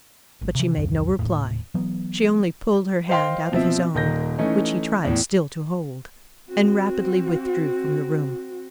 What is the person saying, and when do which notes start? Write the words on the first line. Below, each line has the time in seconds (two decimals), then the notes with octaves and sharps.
But she made no reply; she only pulled her hand out of his own, which he tried still to hold, and rapidly withdrew from the room.
0.42 G#1
0.55 C3 E3
0.76 D#1 C2 F#2
1.19 D#1 D#2 A2
1.74 E3 F#3 B3
3.09 C5 D#5 F5 G5 C6
3.52 B2 F3 C4 E5
3.95 D#1 D#3 G6 A#6
4.38 E3 A3 C#4 D#4
5.05 E2 A2
6.49 C4 F#4